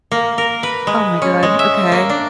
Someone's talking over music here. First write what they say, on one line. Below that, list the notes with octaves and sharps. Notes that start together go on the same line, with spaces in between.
Oh, my god. Okay.
A#3
A#4
B4
G#3
C#4
G#3
E5
A#3
D4